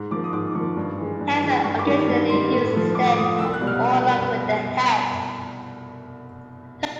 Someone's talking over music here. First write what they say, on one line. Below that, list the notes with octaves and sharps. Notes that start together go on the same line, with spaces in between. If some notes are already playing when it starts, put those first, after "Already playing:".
Hands are occasionally used instead of or along with the head.
Already playing: G#2
F3 A#3 D6
D#6
G#2 D6
F3 A#3 C#6
G2
E3 G#3
G2
E3 G#3
G2 C#6
D6
D#3 G3 A#3
G2
D#3 G3 A#3 C6
A2
F3 A3
A2 D6
D6
F3 A3 D#6
C2 E6
F#6
B2 G3
F6
F#6